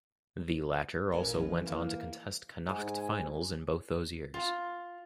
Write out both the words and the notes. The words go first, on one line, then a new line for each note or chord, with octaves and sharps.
The latter also went on to contest Connacht finals in both those years.
A1 A#2 G#5
F2 B4
E3
A#3
G#2 G#5
F4